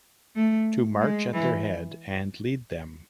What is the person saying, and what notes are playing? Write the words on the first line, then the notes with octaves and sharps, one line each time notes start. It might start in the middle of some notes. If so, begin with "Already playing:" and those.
To march at their head and lead them.
A3
G#3
E3